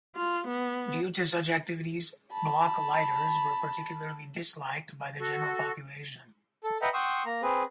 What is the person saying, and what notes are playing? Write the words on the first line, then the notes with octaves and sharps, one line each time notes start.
Due to such activities, "Blockleiters" were particularly disliked by the general population.
F4
B3
A5 B5
F#4 A4
A4
B4 D#5 E5 F#5 G5 A#5
F#5 G5 C6 C#6 D#6 E6
A#3 A#5
C4 G#4 B4